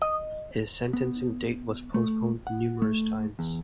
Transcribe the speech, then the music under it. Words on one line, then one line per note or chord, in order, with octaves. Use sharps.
His sentencing date was postponed numerous times.
D#5
B3
A3
F#5
A3
E2